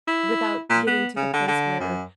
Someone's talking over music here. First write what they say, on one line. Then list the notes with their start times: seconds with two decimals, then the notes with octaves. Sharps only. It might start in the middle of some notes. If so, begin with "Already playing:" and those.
without getting to the place where
0.08 E4
0.69 A#2
0.87 B3
1.16 C#3
1.33 D3
1.48 D3
1.80 F#2